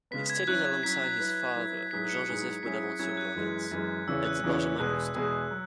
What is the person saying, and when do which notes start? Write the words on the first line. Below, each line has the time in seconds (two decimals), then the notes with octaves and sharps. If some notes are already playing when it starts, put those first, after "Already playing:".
He studies alongside his father, Jean-Joseph Bonaventure Laurens and Benjamin-Constant.
0.11 C#3 G#3 B3 B6
0.30 G#6
0.48 F#3 C#4 E4 F#6
0.65 G#6
0.83 F#3 C#4 E4 B6
1.19 F#3 E4 B4
1.55 F#3 E4 B4
1.91 G#2 F#3 E4 G#4 B4 B6
2.09 C#7
2.28 G#2 F#3 E4 G#4 B4
2.63 F#3 C#4 E4 G#4 B6
2.99 F#3 C#4 E4 G#4 G#6
3.17 F#6
3.35 F#2 E3 G#3
3.71 F#2 E3 G#3
4.07 E2 C#3 E3 C#4 E6
4.25 F#6
4.43 E2 C#3 E3 C#4
4.79 E2 B2 G#3 B3 G#4 F#6
5.15 E2 B2 G#3 B3 G#4
5.51 F#3